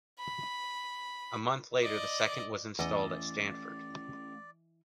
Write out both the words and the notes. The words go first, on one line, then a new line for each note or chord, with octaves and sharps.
A month later the second was installed at Stanford.
B5
D5 D#5
E2 E3 A3 C#4 D5 D#5